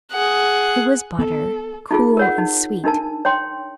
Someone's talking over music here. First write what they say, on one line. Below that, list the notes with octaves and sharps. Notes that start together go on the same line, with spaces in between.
It was butter, cool and sweet.
G#4 F#5
B3 A4
D#4 F4 G#4
A#4 C#5 F#5
D#4
D4 D#4 A#4 A5
C#5 G5 C6